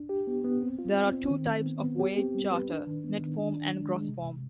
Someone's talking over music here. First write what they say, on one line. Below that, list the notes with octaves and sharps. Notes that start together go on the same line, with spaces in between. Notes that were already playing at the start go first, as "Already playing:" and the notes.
There are two types of voyage charter - net form and gross form.
Already playing: D4
G4
B3
B3
C4
F4
C4
C4
D#3
D#3
B3
B3
G4
C4
G3
B4
D4
D#3
B3
D#3
D4
D4
G#3
G#3
C3
C3